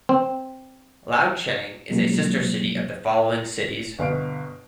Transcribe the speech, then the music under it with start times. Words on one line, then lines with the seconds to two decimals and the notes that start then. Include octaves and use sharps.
Liaocheng is a sister city of the following cities.
0.09 C4
1.90 B2 F3 F#3 G#3 A#3 C#4
3.99 G1 B2 F5 D7